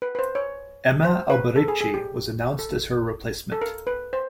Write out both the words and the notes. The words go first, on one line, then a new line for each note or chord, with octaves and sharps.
Emma Alberici was announced as her replacement.
B4
B4
C5
C#5
C5
B4
A4
G#4
G#4
G4
A4
A4
A#4
B4
C5